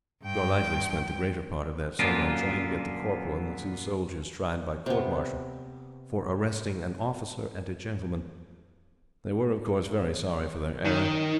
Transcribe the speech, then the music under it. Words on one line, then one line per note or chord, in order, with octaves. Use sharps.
Golightly spent the greater part of that summer in trying to get the Corporal and the two soldiers tried by Court-Martial for arresting an "officer and a gentleman." They were, of course, very sorry for their error.
G2 G5
F#2 A#2 D3 A#3 B3 F4
C3 B3
D#3